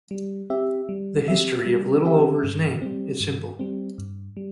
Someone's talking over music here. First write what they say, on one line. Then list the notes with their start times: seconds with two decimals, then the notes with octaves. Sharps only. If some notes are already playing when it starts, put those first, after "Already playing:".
The history of Littleover's name is simple.
0.11 G3
0.50 C4 G4 E5
0.89 G3
1.28 C4 G4 E5
1.66 G3
2.05 C4 G4 E5
2.44 G2
2.82 G3 C4
3.20 G2
3.59 G3 C4
3.98 G2
4.37 G3